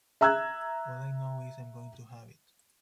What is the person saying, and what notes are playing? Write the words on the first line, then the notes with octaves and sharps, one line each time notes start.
All I know is, I'm going to have it.
E5 A#5 E6 F#6 G#6